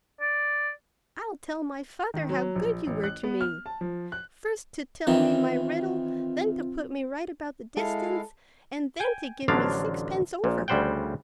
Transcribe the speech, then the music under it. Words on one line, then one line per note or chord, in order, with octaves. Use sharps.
I'll tell my father how good you were to me--first to tell me my riddle, then to put me right about the distance, and then to give me sixpence over.
D5
D#3
F#3
A#1
A1
F#6
B3
F6
A5
F3
F#6
D#3 E3 C4 F4
G#3 E4 A4 F5
G5 G#5
A1 D3 F3 F#3 D4 F5
A#1 A#2
D2 C#3 G3 C5 F#5 G5